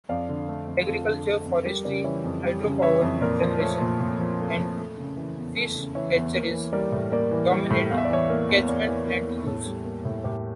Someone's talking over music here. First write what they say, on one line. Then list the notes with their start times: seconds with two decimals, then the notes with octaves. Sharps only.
Agriculture, forestry, hydropower generation and fish hatcheries dominate catchment land use.
0.09 F2 D5 F5
0.29 D3
0.49 A3
0.67 F2
0.87 F2 F4 A4
1.07 D3
1.26 A3
1.46 F2
1.65 G3 G4 A#4
1.85 C#3 A#4 D5
2.04 E3 C#5 E5
2.24 F2
2.44 G3
2.63 C#3
2.82 E3 C#5 E5
3.02 F2
3.21 A#2 A#4 D5
3.42 F3
3.60 A3 A4 C#5
3.81 A#2
4.00 A#2
4.19 F3
4.39 A3
4.58 A#2
4.77 A3
4.98 C#3
5.17 E3
5.37 E2
5.56 A3
5.76 C#3
5.95 E3 C#5 E5
6.15 E2
6.34 A#3
6.53 E3
6.73 G3 A#4 D5
6.92 A2
7.12 A#3 A#4 D5
7.31 E3
7.52 G3
7.70 A2
7.91 E2 F5
7.98 E5
8.05 D5
8.09 E3 C#5 E5
8.29 A#3
8.49 E2
8.68 E2 A#4 D5
8.87 E3
9.08 A#3
9.27 E2
9.46 A2 A4 C#5
9.66 G3
9.85 A#3
10.05 A2
10.24 A2 G4 A#4